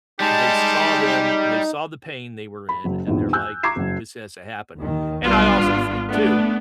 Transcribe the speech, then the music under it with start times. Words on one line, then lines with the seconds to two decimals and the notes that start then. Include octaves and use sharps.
they saw them, they saw the pain they were in, and they're like, "This has to happen," and I also think too,
0.20 G3 G#3 D#4 G4 A5
2.69 B5
2.84 F#1 F#3
3.07 A#1 E2 G2 D#3
3.33 G#5 E6 F#6 G6
3.63 A#5 C#6 D6 G#6 C7 E7
3.76 F#1 F#3
4.77 D#2 D#3
5.25 B1 G3 B3 D4 F4
5.59 G#1
6.10 A3 B3 D4